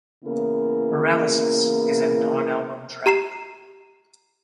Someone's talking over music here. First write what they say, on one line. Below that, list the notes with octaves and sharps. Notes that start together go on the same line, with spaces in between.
"Paralysis" is a non-album track.
C#3 E3 A#3 B3 E4 A#4
G4 A#5 C7 E7